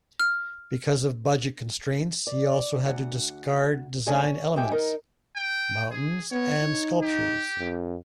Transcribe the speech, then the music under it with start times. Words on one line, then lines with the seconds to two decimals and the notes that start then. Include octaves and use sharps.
Because of budget constraints, he also had to discard design elements: mountains and sculptures.
0.20 F6
2.27 D5
2.86 D2 F#5
4.06 C3 A3 D4 G#4 G#5
4.24 C#4
4.56 D2 G#3 G4 G#4 E5 G5
4.71 D#4 A#4
5.36 G5
5.91 G#4
6.31 B3 C#5
6.62 D#4
7.02 G4
7.58 F2